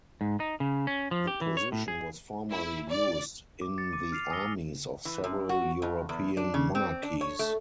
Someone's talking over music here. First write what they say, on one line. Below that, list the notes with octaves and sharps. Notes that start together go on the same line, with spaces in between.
The position was formerly used in the armies of several European monarchies.
G#2
D#4
C#3
C#4
F3
G4
E3
C#5
A2
G#4
E4
D5
D6
A6 C#7
D6 D#7
F6 C7 F7
G#5 D#6 E6 A#6 C#7 G7
E3
F#2
F#4
F2
E2
D4
C#3
C4
D4
C#5
A3